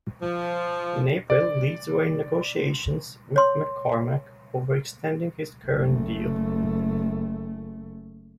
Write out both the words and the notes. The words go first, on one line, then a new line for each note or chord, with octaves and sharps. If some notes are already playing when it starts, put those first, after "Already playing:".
In April, Leeds were in negotiations with McCormack over extending his current deal.
F3
D5
C#5 C6
F#1 A3